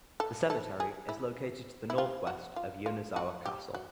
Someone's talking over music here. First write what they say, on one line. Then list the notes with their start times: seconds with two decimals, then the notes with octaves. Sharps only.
The cemetery is located to the northwest of Yonezawa Castle.
0.20 A4
0.50 A4
0.80 G#4
1.09 E4
1.90 E4
1.98 F4
2.27 F#4
2.56 F4
2.86 F4
3.16 F#4
3.46 G4
3.75 F#4